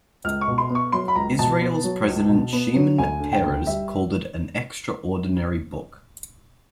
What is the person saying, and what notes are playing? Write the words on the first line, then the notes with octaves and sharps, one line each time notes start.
Israel's president Shimon Peres called it "an extraordinary book".
C#2 F6
C#6
B2
C6
B3 C#6
F#3 C6
B5
C#2 A#5
B2 A5
B3
F#3
C#2
B2
B3
F#3
D2 G#5
D3
G5
D2
G3 E5